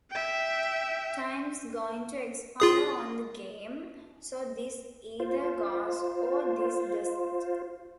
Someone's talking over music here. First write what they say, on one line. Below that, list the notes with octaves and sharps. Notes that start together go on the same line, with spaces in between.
Time's going to expire on the game, so this either goes or this doesn't.
E5 G5
F4 G#4 D#6
F4 C5